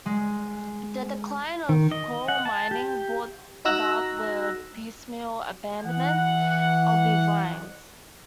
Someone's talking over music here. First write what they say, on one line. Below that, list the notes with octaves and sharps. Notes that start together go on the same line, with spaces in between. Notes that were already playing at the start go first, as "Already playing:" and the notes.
The decline of coal mining brought about the piecemeal abandonment of these lines.
G#3
D#3
D#5
F#5
A5
G4
D#4 F#4 A#5 E6 F#6 A#6
E3 F#5